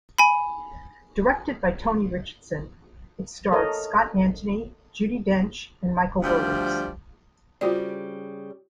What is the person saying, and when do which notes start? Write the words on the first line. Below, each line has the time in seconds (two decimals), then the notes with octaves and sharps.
Directed by Tony Richardson, it starred Scott Antony, Judi Dench and Michael Williams.
0.18 G#5 B5
3.52 A4 A#4 C#5 D#5
6.22 D2 F3 G3
7.61 C#3 G3 C4 F4 F#4 D5